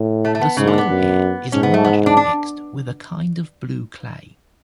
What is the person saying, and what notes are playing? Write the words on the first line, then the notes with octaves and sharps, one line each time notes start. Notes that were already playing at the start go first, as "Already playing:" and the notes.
The soil here is largely mixed with a kind of blue clay.
Already playing: A2
A3
A3
B3
G#2 C#3
D3
B3
F#2
G#2 C#4
B3
A3
B3
D4
D4